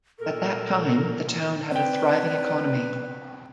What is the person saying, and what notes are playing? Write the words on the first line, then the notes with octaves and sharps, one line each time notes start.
At that time the town had a thriving economy.
A#2 A4 A#4
C4 B4 D5 G5